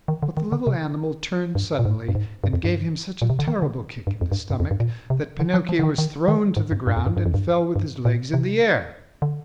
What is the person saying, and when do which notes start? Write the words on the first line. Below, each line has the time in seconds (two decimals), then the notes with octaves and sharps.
But the little animal turned suddenly and gave him such a terrible kick in the stomach that Pinocchio was thrown to the ground and fell with his legs in the air.
0.08 D#3
0.23 D3
0.37 D#3
0.52 D3
0.67 C3
1.55 G2
1.79 A#2
1.85 G#2
2.08 G2
2.15 G#2
2.44 G2
2.53 F2
2.64 G2
3.22 A#2
3.30 C3
3.39 D3
3.48 D#3
3.62 D3
4.07 G2
4.21 F2
4.32 G2
4.50 G2
4.60 F2
4.71 G2
4.80 A#2
5.10 C3
5.40 D3
5.54 F3
5.69 F3
5.79 D3
5.83 D#3
5.98 D#3
6.28 D#3
6.57 G#2
6.72 G2
6.87 G2
6.97 F2
7.06 G2
7.17 G2
7.26 F2
7.34 G2
7.76 G2
8.05 A#2
8.34 C3
9.22 D3